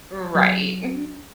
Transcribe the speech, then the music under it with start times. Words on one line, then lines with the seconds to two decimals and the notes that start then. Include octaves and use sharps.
Right. Mhm.
0.35 F#3